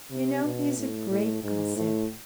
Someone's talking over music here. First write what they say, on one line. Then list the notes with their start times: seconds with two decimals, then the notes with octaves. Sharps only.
You know he is a great gossip.
0.11 C3
0.45 B2
0.77 A2
1.10 A2
1.44 G#2
1.76 A2